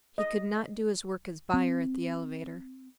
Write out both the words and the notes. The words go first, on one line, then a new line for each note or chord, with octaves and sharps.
He could not do his work as buyer at the elevator.
D#5
C4